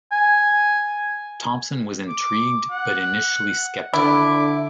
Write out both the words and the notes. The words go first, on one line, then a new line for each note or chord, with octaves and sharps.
Thomson was intrigued but initially skeptical.
G#5
D6
F#5
D3 E4 D6